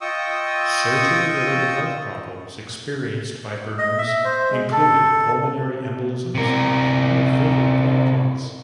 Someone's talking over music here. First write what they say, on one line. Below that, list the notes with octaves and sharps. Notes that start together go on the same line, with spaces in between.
Surgery-related health problems experienced by Burns included pulmonary embolisms and near-fatal blood clots.
F4 D#5 G5 C#6 D#6 E6
D#5
E5
C5
G#3
A4
C3 A#4